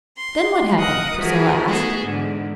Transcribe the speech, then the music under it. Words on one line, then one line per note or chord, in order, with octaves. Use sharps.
"Then what happened?" Priscilla asked.
C6
A#4 D#5 F5 F#5 D#6 F#6
E3 F3 F#4 G#4 A#4
A3 B3 D#4 F#4 G#4 A4
E2 G#2 D3